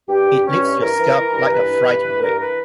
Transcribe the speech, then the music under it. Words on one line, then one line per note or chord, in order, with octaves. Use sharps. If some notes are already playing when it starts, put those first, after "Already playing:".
It lifts your scalp like a fright wig.
G2 G4
G2
G2 C#4
E3
E3 A#4
E3
E3
G2
E3 B4
G2
E3
E3
G2 A#4
B4